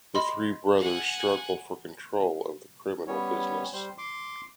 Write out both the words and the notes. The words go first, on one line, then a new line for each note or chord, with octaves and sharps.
The three brothers struggle for control of the criminal business.
D#5 B5 C6
F#5 G#5
G3 B3 C#4 C#5
G3 C5
C6 D6